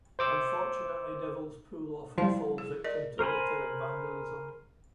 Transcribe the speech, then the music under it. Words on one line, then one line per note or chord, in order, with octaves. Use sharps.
Unfortunately, Devil's pool often falls victim to litter and vandalism.
C5 D6 E6
F3 G3 E4 F5
G#4
A#4 D5 D#5
A#4 C5 G#5 B5